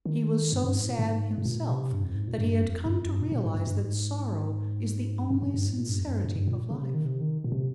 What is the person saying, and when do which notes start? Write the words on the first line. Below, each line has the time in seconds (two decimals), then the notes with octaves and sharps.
He was so sad himself that he had come to realize that sorrow is the only sincerity of life.
0.06 D#3
0.52 G2
0.64 G2
0.75 G#2
0.88 A#2
0.99 G#2
1.38 G#2
1.45 A#2
1.69 C3
1.92 G2
2.04 F2
2.15 G#2
2.28 A#2
2.38 G2
2.63 F2
2.85 G2
2.97 F2
3.09 G2
3.21 A#2
3.32 A#2
3.44 G#2
3.55 G2
3.67 G2
3.78 G#2
5.19 G2
5.30 G2
5.42 G2
5.54 G2
5.66 G#2
5.78 A#2
5.88 G2
6.01 F2
6.12 G2
6.24 G2
6.36 G2
6.48 A#2
6.70 C#3
6.82 C3
6.94 D#3
7.05 C3
7.21 D#3
7.44 A#2
7.52 C3